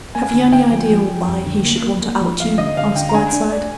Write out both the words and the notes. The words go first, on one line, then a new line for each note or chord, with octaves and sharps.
"Have you any idea why he should want to out you?" asked Whiteside.
A#3 G#5
D3
D3 G5
F3
F3
F3
F2
D3
A#3
A#3
A#3
F3
F3 F5
D3 D#5
D3 F5
D3 G5
A#5
D4 G#5
D4
D5